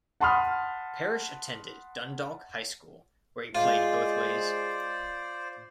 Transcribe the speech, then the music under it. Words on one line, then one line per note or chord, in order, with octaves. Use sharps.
Parrish attended Dundalk High School, where he played both ways.
F#5 A5 B5 C6 D#6 F6
G#3 F4 C5 D5